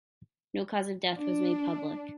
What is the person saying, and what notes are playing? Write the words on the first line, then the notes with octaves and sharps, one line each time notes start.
No cause of death was made public.
D4